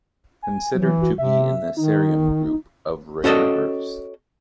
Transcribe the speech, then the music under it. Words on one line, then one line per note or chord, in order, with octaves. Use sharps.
Considered to be in the cerium group of rare earths.
G#5
E3 F#3
F#4
C3 E5
D#3 D#4
C#4 F#4 A4 D5 D#5